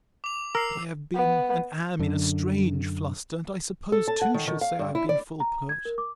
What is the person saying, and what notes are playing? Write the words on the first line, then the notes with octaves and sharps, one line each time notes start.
But I have been, and am, in a strange fluster; and I suppose too, she'll say, I have been full pert.
D6 F7
A#4 E6 C7
B3
F#2 D3
A4
A5
F#5
D#3
D#3
F5
G2
E4
D5
A#5
G#6
A#4
D6